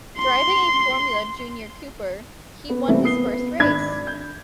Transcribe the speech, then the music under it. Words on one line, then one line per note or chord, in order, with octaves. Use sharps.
Driving a Formula Junior Cooper, he won his first race.
C6
B3
C3 E3 G3 A3 A#3 C4
B3 D#6 C7 G7
B3
G#1 D4 D5 B5 G#6 B6
G6